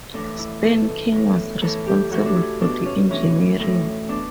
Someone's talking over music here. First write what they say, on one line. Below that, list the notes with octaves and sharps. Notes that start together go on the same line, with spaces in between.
Spen King was responsible for the engineering.
A2 E3 D4
E4
B2 A4
A2 E3
A2 E3 A4
G4
A2 E3 F#4
D4
E4
B2 D4
C#4
A2 E3 C#4
A2 E3
B2 D4